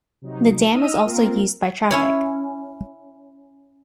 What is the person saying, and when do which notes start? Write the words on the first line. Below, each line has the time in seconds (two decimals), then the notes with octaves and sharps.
The dam is also used by traffic.
0.22 C3 F#3 D#4
0.74 D#4 D#5 E6 F6 D#7
1.04 A#3 C4 F4 A#4 F5
1.91 C#4 E4 C#5